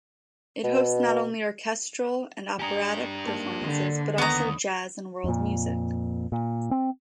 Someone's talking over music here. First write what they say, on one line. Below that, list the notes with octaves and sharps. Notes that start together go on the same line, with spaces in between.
It hosts not only orchestral and operatic performances, but also jazz and world music.
B2
D4 G4 G#5 A#5 D#6
G#2 A#3 A5
D3
D#2 B3 A#5 B5 C#6 D#6
F2 A#2
A#2
C4